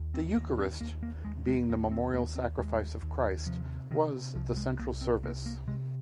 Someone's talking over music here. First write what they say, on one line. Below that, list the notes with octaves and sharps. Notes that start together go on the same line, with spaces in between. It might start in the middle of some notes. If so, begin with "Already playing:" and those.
The Eucharist, being the memorial sacrifice of Christ, was the central service.
Already playing: D#2
C4
D#2 A#3
C4
D#2 A#3
A#3
D#2 G#3
G#3
D#2 A#3
C4
D#2 A#3
C4
D#2 G#3
D#2
C3 F3
C3 D#3
C2 F3
G#3
C2 A#3
C4
C3 A#3
A#3
C3 G#3